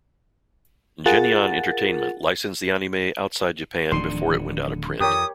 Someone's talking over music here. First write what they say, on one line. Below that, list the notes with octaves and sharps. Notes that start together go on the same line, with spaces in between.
Geneon Entertainment licensed the anime outside Japan before it went out of print.
F4 G#4 A#4 F#5 A6
D1 D3 D#3 F3 D4 C6
F2 G4 A#4 C#5 D#6